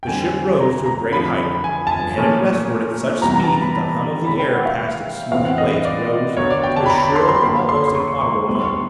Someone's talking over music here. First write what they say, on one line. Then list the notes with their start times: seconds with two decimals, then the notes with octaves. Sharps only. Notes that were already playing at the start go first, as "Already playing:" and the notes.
The ship rose to a great height, and headed westward at such speed that the hum of the air past its smooth plates rose to a shrill, almost inaudible moan.
0.03 G5
0.07 F2 D3 G3 C4 G#5
0.60 A#5
0.86 A#5
1.12 F2 D3 F3 B5
1.25 B5
1.64 G#5
1.87 A5
1.91 G#5
2.17 A#2 F3 A3 C#4
3.22 C3 E3 G3 B3 A#5
3.36 A#5
3.43 A5
3.48 A#5
3.61 B5
4.26 C3 D#3 G#3 C#4 B5
4.40 G5
4.53 F#5
4.66 F5
4.79 E5
5.32 A2 E3 A3 C4 F5
5.45 F#5
5.58 D#5
5.71 D#5
5.85 D5
6.37 D3 F#3 B3 C#5
6.50 D5
6.63 G5
6.76 A5
6.86 B5
6.90 A#5
7.03 B5
7.16 C6
7.29 C6
7.41 F#2 D3 F#3 A#3 C#4 B5
7.69 C6
7.88 C6
7.95 C#6
8.08 C#6
8.21 C#6
8.33 C#6
8.47 D3 G3 B3
8.55 C6
8.65 C#6